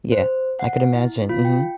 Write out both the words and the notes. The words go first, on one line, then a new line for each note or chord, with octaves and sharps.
Yeah, I could imagine. Mhm.
C5
F#5
E4
F4
G5